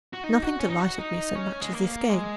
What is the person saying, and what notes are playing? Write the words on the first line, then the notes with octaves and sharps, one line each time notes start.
Nothing delighted me so much as this game.
F#4
D#4
F#4
C#4
D#4
F#4
D#4
C#4
G#3
A#3
G#3